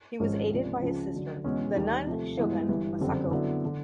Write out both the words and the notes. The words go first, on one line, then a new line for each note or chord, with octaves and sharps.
He was aided by his sister, the "nun-shogun" Masako.
G#1 G#2 F3 G#3 C#4
C#2 C3 F3 A#3 D4
C#2 C#3 F3
D3 F#3 A3
E1 E2 B2 G#3 C#4
D#2 D#3 G3
C3 F3 A3
G2 E3 G#3 B3 E4
G1 G2 E3
F#1 F2 D3 G3 C4
D3 F#3 B3 E4
D3